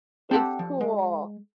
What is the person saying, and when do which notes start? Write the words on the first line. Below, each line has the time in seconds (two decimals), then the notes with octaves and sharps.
It's cool.
0.31 C4 D4 G4 A4 F#5
0.59 F3
0.81 G#3